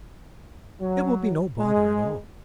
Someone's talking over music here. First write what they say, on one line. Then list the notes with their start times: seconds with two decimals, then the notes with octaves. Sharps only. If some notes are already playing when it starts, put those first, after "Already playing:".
"It will be no bother at all."
0.80 F#3
1.59 G#3